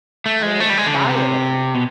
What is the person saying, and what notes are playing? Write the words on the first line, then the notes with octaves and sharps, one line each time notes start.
"I will buy it of you."
A3
G#3
A3
G3
G#3
D3
C#3
C3
B2